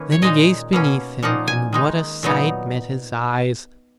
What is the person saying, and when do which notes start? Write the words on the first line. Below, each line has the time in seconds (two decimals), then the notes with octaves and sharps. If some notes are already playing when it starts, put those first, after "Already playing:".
Then he gazed beneath him, and what a sight met his eyes!
Already playing: D#3 A#3 C#4 B4
0.12 C#5
0.22 A#2 G#3 D#4 D#5
0.73 B2 A#3 C#4
1.23 A#2 F3 A#3 D#4 F#5
1.48 G#5
1.73 D#3 G#3 D#4
2.23 A#2 F#3 B3 D#4